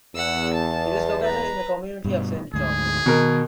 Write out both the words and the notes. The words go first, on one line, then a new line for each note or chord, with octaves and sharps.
It is located in the community of Saint Johns.
E2 F#5 E6
A5
B4 A#5
G2 B2
D2 G#2 G#4
B2 D#3 A#4